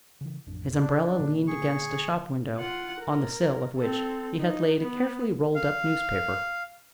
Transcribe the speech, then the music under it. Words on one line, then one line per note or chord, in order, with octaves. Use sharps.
His umbrella leaned against a shop-window, on the sill of which he had laid a carefully rolled-up newspaper.
C#3 E3
A1 F2 D4
C#3 D4
A#2 D3 A#3
G#4 C#6
F4 F#5
A#4
C4 A4
D#4
B3
F5